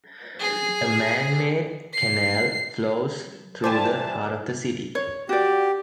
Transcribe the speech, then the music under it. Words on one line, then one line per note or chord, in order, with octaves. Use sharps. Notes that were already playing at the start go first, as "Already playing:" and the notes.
A man-made canal flows through the heart of the city.
G#4
C7
E3 G3 F4 C5 G#5 A5 D6
C#5
F#4 G4 D5